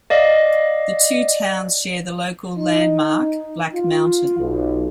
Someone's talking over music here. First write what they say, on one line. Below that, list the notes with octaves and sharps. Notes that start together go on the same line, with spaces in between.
The two towns share the local landmark Black Mountain.
D5 D#5 F5
D#4
F4
B1